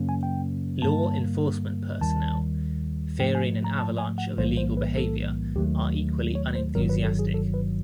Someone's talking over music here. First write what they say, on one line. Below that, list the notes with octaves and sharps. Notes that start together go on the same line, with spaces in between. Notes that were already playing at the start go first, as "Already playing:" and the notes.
Law enforcement personnel, fearing an avalanche of illegal behavior are equally unenthusiastic.
Already playing: F#2 C#3 F#3 A#3 C#4
G#5
G5
G2 D3 G3 A#3 A5
D#2 D#3 G3 A5
G#2 F3 A3 G5
G#5
A#5
A5
G#5
F#5
B1 A2 E3 G3 A#3 C5
C5
B4
A4
D#2 D#3 F#3 A3 G4
C#5
C5
G1 G2 D#3 F#3 A#4
B4
A4
G#4
A4
B4